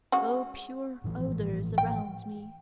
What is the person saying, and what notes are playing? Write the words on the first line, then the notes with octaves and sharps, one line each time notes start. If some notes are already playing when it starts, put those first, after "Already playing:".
O pure odours around me!
C#3 G#3 F#4
A2 E3 F3
G5